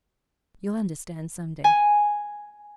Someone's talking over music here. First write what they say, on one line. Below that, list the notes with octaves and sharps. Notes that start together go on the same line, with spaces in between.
"You'll understand some day."
G#5